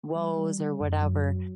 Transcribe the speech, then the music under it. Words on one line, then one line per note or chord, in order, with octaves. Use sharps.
woes or whatever.
G3
G3
G3
F#2
F#3
F#3